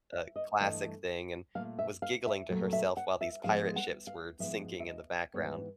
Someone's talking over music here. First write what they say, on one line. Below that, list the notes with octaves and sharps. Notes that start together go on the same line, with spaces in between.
uh, classic thing and was giggling to herself while these pirate ships were sinking in the background.
E5
D#5
G2 E3 A3 D#5
A#2 F#3 A3 F5
E5
F5
E5
A#2 F#3 A3
E5
F#5
E5
G#2 F3 G#3 B3 F5
F#5
F5
G#2 F3 G#3 B3 E5
E5
D#5
G#2 E3 G3 B3 C#5